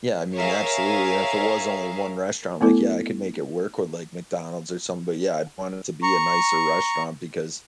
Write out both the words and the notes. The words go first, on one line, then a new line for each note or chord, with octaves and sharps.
Yeah, I mean, absolutely, and if it was only one restaurant, like, yeah, I could make it work with, like, McDonald's or something, but, yeah, I'd want it to be a nicer restaurant because
G#4 A#4 C#5 E5 F5
A3 B3 E4 A4
A#5 C#6